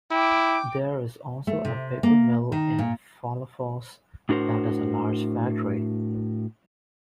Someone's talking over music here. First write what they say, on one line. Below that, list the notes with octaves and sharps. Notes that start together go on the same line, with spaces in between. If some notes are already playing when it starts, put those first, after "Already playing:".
There is also a paper mill in Follafoss that is a large factory.
E4 G5 D6
A3
C3
A#3
D#3
A#2
A2 D4 F#4 A#4 C5